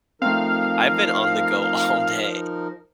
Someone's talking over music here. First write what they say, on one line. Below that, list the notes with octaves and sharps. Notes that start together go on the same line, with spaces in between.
I've been on the go all day,
F3 A3 C4 D#4 A#4 F5